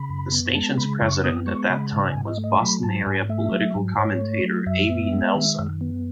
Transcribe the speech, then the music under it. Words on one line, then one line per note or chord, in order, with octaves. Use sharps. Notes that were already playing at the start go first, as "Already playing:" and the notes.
The station's president at that time was Boston-area political commentator Avi Nelson.
Already playing: C#3 B5
F#2
B3
G#3 A5
C#3 B5
F#2 C#6
B3 D#6
G#3 C#6
C#3 B5
G#2 A5
G#5
G#2
D#5
A3
D#5
F#3 B5
G#2 A5
G#2 G#5
A3 E5
F#3
G#2
G#2 C#5
A3
F#3
F#2 E5
B3
G#3
D#3
F#2
B3